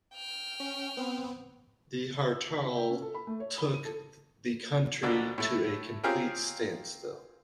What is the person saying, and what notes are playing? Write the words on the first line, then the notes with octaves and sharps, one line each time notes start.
The Hartal took the country to a complete standstill.
G5 F6
C#4
B3 C4
E6
B6
C3
G5
C#4
A4
B5
A3
C#5
B5
D#7
A4
D2 B2 D3 A#3 D4 D5
A2 A3
C4 C#4 F4 G4 G#4 A#4